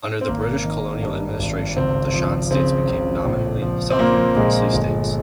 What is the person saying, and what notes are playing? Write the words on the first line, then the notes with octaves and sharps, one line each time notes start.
Under the British colonial administration, the Shan States became nominally sovereign princely states.
C4
G#1 A#3
D#3
G2
G#1
C#2 C4
F3
C#3 C4
C#2
A#1
F3
C4
A#2 A#3
A#1 G#3
G1